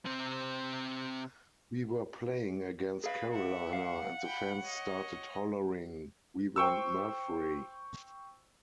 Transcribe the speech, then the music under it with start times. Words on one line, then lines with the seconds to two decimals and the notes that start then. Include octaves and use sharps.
We were playing against Carolina, and the fans started hollering, 'We want Murphrey.
0.06 C3 C4
3.04 G#4 B4 F5
3.33 E5 F#5
3.73 F5
4.25 G5 B5
4.62 C#5 D#5
6.56 C5 G5 C#6 E6